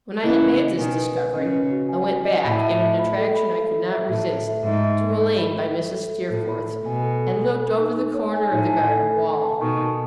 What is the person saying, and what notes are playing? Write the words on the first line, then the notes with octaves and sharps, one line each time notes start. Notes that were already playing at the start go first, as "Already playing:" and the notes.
When I had made this discovery, I went back, in an attraction I could not resist, to a lane by Mrs. Steerforth's, and looked over the corner of the garden wall.
C#3 E3 D#5
B4
D#5
B2 D#3 G#5
B4
B4
C#3 D#5
B4
F#4
G#5
F#4
D#5
A2 B5
E5
E5
B5
A4
B5
A4
A4
E5
A2 E5
A4
E5
G#2 E5
E5
A4
A4
B5
E5
A4
A4
A4
A2 A4
B5
A4
B2 G#5
A4
A4
A4
A4
D#4
D#4
C#5
G#5
A2 D#4
G#5
A4
A4
A4
A5
B2 D#3 C#6
A5